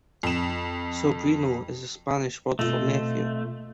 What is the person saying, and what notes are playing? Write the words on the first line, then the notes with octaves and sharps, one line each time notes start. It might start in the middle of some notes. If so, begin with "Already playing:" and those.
Sobrino is the Spanish word for nephew.
F2 E7
B2 A3 C4 F4 D#5